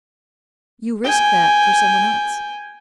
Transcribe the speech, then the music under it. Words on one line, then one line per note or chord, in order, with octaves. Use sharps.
"You risk that for some one else."
G5 G#5